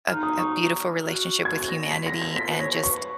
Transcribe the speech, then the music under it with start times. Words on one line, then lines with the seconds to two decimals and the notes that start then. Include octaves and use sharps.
a a beautiful relationship with humanity and just
0.08 D#4 F6
0.23 D#6
0.39 C#6
0.99 F#4
1.45 G#6
1.68 A#6
1.91 B6
2.06 A#6
2.22 A#6
2.36 F4 B6
2.48 B4
2.60 C#5 A#6
2.71 C#5
2.82 B4 C#6